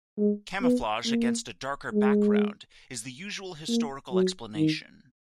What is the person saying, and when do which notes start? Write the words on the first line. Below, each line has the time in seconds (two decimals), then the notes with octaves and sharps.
Camouflage against a darker background is the usual historical explanation.
0.18 G#3
0.62 B3
1.06 A#3
1.93 G#3
3.68 A#3
4.12 F#3
4.56 D#3